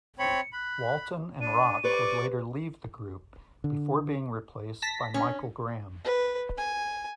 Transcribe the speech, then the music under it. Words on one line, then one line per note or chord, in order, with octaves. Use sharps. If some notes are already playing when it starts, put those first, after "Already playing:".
Walton and Rock would later leave the group before being replaced by Michael Graham.
C4 C#5 B5 C#7
B5 F#6
D4 D#7
G4 B4 C5 D5 C#6 D6
D3
A5 A#6 B6
C#4
B4
G#5